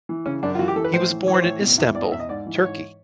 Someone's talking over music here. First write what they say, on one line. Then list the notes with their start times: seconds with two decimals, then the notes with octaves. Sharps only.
He was born in Istanbul, Turkey.
0.09 E3
0.26 C#3 C#4
0.43 F#2 D4
0.55 F4
0.59 E3 F#4
0.68 G4
0.76 E3 A4
0.84 B4
0.93 A2 C5
1.10 E3
1.27 E3 C#5
1.34 C5
1.42 A2 C#5
1.61 B2
1.78 E2
1.95 E2 D5
2.03 D#5
2.12 E2 E5
2.20 D#5
2.29 G#2 D5
2.46 E3
2.63 G#2 C#5